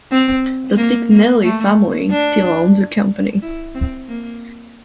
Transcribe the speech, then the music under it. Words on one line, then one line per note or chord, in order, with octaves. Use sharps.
The Picknelly family still owns the company.
C4
A#3
A#3
A3
D4
E4
C4
A#3